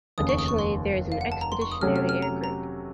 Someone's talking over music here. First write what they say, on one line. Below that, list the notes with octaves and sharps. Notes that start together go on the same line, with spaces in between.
Additionally there is an expeditionary air group.
F1 D#2 C#3 D#6
C#6
D#6
C#6
C6
F5
F#5
A5
A#5
C6
C#6
D#6
C3 F#3 A3 C#4 F6
F6
F6
A#5
A#5